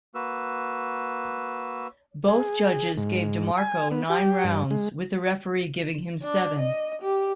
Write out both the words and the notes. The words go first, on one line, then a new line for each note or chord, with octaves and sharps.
Both judges gave DeMarco nine rounds, with the referee giving him seven.
A#3 F#4 B4 E6
G#4
G#2
G#5
B3
G4
G2
G#3
D4
D#5
G4